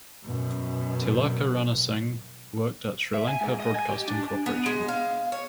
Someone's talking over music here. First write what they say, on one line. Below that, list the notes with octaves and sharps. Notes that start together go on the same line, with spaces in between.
Tilaka Ranasinghe worked at Sri Lanka Broadcasting Corporation.
F#2 B2
E5
G#5
G#2
D#5
G#5
G4
D4
B3
G#3
F5
C#5